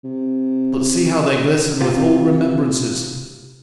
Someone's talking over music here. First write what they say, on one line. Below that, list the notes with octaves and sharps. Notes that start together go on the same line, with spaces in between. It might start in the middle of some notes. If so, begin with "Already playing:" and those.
But see how they glisten with old remembrances!
C3
C3 F4